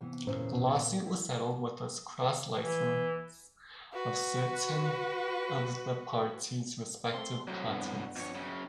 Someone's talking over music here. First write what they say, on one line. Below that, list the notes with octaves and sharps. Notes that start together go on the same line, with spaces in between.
The lawsuit was settled with a cross-license of certain of the parties' respective patents.
C3 E3 B3
E2 A#2 C#3 C#4 E4 C5
A#2
E4
E3
F#4 B4
A3 C4 C6
C2 A2 F#3
G2 B3
F2 C#5
F#2 C#3